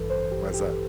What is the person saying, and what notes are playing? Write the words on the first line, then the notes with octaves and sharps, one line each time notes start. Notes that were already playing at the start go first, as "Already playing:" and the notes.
Why's that?
Already playing: A1 G2 E3 A4 B4
C5
G4
G4